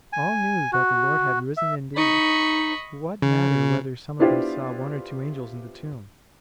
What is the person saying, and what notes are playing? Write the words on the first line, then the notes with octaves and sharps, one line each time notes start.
All knew that the Lord had risen indeed: what matter whether some of them saw one or two angels in the tomb?
G#5
F#4
E5
D#4 D#5 B5 C#6
C#3
B3 D4 E4 F4 G4 C5